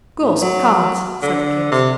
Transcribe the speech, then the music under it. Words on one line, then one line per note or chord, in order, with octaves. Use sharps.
"Girls can't," said Kit.
A2
F#3
D3
C3